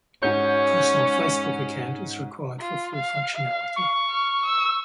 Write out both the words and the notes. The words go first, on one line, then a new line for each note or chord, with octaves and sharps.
A personal Facebook account is required for full functionality.
G#2 C#4 F#4 C#5 G6
F4
F5
F5
C#6
F6
E6